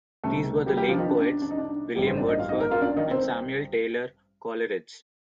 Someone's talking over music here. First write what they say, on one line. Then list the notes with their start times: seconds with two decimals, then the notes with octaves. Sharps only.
These were the Lake Poets William Wordsworth and Samuel Taylor Coleridge.
0.24 C2 C3 D#3 A3 A4
0.66 G3 G4
0.77 G3 G4
0.88 F3 F4
0.94 D4
0.99 D#3 D#4
1.10 D4
1.21 D4
1.42 D4
1.51 D#4
1.58 D4
1.95 A1 G2 D#3 G3 A#3 G4
2.06 C4 C5
2.17 D4 D5
2.29 D#4 D#5
2.38 F4 F5
2.49 D#4 D#5
2.60 A#3 A#4
2.71 F4 F5
2.81 D4 D5
2.97 D#3 D#4
3.11 C4